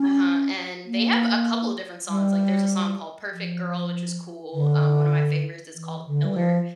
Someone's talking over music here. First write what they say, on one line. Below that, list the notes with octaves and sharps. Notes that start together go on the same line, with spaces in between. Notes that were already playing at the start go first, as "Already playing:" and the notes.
uh-huh, and they have a couple of different songs, like, there's a song called Perfect Girl, which is cool, um, one of my favorites is called Killer.
Already playing: C#4
A#3
G3
F3
D3
E3
D3
G3
F3